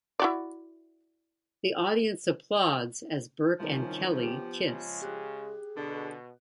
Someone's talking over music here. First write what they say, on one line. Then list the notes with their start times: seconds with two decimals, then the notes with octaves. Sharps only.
The audience applauds as Berke and Kelly kiss.
0.19 E4 F#4 D5
3.60 C2 F#2 D#3 F3 A#3 C#4
4.23 B3 G4 D7
4.66 C#3 G#3
5.02 G4 G#4 F#6
5.77 B2 D3